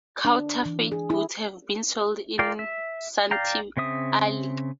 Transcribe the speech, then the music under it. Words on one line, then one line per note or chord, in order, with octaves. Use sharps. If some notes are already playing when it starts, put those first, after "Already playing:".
Counterfeit goods have been sold in Santee Alley.
D4
E3
G#4
E4
F4 A#4 D5 F5 G5
E5
D5 F5 G5 A#5
C#3 C4 E5 D#6